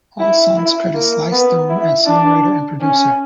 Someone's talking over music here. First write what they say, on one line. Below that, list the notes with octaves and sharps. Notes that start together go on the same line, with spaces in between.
All songs credit Sly Stone as songwriter and producer.
E4
E4
A#3
B3
E4
D4
C#4